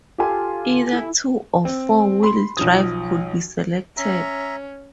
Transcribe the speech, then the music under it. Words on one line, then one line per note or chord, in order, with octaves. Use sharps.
Either two- or four-wheel drive could be selected.
F4 G4 A4 G#5
E4
C4
B5 C6
B1 F3 D#6
C#4 E5 A#5